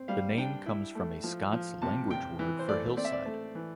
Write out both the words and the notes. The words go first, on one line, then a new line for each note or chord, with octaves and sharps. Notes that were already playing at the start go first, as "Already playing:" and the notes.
The name comes from a Scots language word for hillside.
Already playing: C4
G3 F5
D4 G5
E4
A3
F3
F3
C3 A5
C3 G5
E3
C5
A3 D5
C4 D5
E5
D5
A3
E3